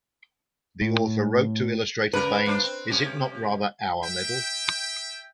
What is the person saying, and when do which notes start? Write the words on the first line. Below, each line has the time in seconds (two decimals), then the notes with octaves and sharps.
The author wrote to illustrator Baynes, is it not rather 'our' medal?
0.81 A2
2.13 C#3 A#3 A#4 B4
2.46 A#3 D4 C5
2.63 C4
2.90 C3 C#4 G4
4.03 E5 G5